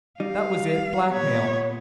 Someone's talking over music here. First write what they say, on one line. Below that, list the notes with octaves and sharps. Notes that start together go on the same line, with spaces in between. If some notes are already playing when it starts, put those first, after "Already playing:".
That was it--blackmail.
G3 D#4 F5
A#2 B3 C#5